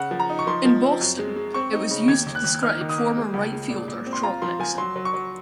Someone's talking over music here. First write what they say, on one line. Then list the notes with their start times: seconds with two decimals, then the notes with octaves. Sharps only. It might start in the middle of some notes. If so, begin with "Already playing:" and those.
In Boston, it was used to describe former Right Fielder Trot Nixon.
Already playing: C#3 F#5
0.11 F3
0.20 A#5
0.30 D#4
0.39 C#6
0.47 F3 C6
0.65 F3
0.84 C4
1.01 F#2
1.19 G#3
1.36 G#3
1.54 C4 C#6
1.73 D#4
1.91 C#3
2.08 D#2 G#6
2.27 D#2
2.35 F#6
2.44 D#2
2.62 D#4 F6
2.81 D#3
2.90 D#6
2.98 A#3
3.17 G#3
3.34 C#2
3.53 G#3
3.70 A#2
3.88 A#2
4.06 C4
4.13 C6
4.23 F4 A#5
4.42 F3 C6
4.60 F3 G#5
4.78 F#3 C6
4.96 F#3
5.05 C#6
5.14 F#3